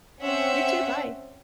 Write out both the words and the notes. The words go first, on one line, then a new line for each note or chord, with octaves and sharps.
You too. Bye.
C4 C#4 E5 F#5